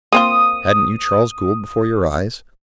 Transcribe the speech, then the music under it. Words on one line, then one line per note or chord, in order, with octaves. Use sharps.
Hadn't you Charles Gould before your eyes?
A#3 C4 F4 D#6